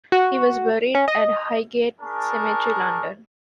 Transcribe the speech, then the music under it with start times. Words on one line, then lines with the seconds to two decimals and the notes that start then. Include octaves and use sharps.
He was buried at Highgate Cemetery, London.
0.12 F#4
0.95 C#4
1.08 D#5
2.01 D4 G#4 A#4 A5 C#6